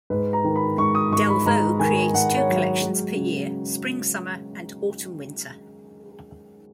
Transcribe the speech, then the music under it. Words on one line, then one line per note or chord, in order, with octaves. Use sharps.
Delvaux creates two collections per year, Spring-Summer and Autumn-Winter.
G#2 B4
A#5
D#3
B5
G#2 C#6
D#6
G#2 C#6
B5
G#2 A#5
D#3 G#5
G#2 F#5
C#5
F#3
G#3
C#3